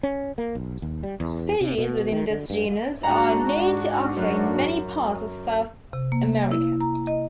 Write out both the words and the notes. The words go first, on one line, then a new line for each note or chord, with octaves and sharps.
Species within this genus are known to occur in many parts of South America.
C#4
A#3
B1
D#2
G3
E2
C3
B2
D#3
D3
G2
G#2 D4 F#4 F#5 A#5
F#2
C3
A#3
E4
A#5
D#5